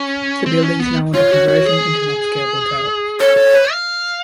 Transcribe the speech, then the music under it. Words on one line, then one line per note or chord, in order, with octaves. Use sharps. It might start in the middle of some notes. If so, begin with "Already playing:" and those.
The building is now under conversion into an upscale hotel.
Already playing: C#4
C4
C#4
B3
F4 C#5
F#4
F#4
G#4
A4 C#5
A4
B4
F5